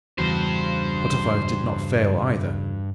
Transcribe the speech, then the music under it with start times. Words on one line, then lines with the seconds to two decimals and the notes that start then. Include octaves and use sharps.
Butterflies did not fail either.
0.18 E2 G2 C#3 E3 F#4 C5